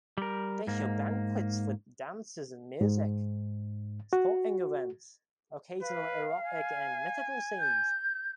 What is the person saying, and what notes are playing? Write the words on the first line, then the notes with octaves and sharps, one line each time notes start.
They show banquets with dances and music, sporting events, occasional erotic and mythical scenes.
G3 A#4
G#2 A#3
G#2
F#4
B4 F5
G#5
G6